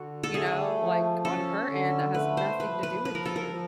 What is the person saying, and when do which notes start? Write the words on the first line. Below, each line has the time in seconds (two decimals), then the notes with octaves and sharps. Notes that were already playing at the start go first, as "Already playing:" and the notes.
you know? Like, on her end that has nothing to do with you.
Already playing: D3 F#4
0.23 A4
0.34 A3 G#4
0.80 F3
1.25 C#4 A4
1.69 D3
2.15 A3 B4
2.37 C5
2.60 F3 B4
2.83 B4
3.05 F3 B4
3.15 A#4
3.26 A4
3.36 A#4
3.50 F3